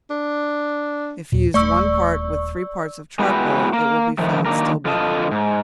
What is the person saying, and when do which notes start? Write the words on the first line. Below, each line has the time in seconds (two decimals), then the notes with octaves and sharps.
If used one part with three parts of charcoal, it will be found still better.
0.11 D4
1.32 D#2 A#2
1.54 D#1 A3 D5 C#6 E6
3.19 G#3 B3 E4 F#4 G4 B4
3.73 A#3
4.18 A2 D#3 F3 A3
4.46 D#3 F#3 A#3 D4 A#4
4.85 F2 D3 F4 A4 D#5 A5
5.31 G#2